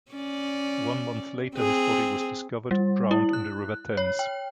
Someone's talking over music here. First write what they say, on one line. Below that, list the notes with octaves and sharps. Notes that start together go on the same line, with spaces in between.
One month later his body was discovered drowned in the River Thames.
C#4 D5
C4 G#4
G3
E4
F#6
C#5
G5